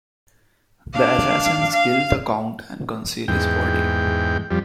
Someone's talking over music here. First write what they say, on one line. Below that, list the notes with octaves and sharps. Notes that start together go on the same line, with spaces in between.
The assassins kill the Count and conceal his body.
D4 F5
F5
E2 G#2 G5
F2 G3